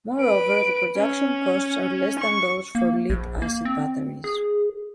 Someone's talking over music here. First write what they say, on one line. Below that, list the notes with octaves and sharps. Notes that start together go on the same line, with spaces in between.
Moreover the production costs are less that those for lead-acid batteries.
B4 D7
C#4
C#6
A#3
A#1
A#3
C4
G#4